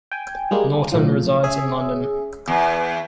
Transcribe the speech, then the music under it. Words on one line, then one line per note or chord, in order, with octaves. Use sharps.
Norton resides in London.
G5 G#5
G3 G#3 A#3
B1 A2 F3
C#4 G#4 E5
E2